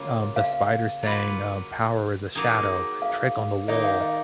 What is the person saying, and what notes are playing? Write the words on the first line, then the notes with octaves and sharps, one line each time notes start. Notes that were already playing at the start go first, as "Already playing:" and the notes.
um, the Spider saying, uh, "Power is a shadow, a trick on the wall."
Already playing: C#3 F#3 A#3 F4 C#5
F5
F#3 A#3 F4 B4
F#3 A#3 D#4 G#4
F5
D#3 A#3 D#4 D#5
F5
D#5